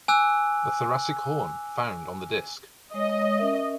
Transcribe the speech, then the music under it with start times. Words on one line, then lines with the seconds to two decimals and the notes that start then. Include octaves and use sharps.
A thoracic horn found on the disc.
0.08 G#5 D6 E6 F#6
2.94 G#3 C#5 D#5
3.37 C#4 A#4 E5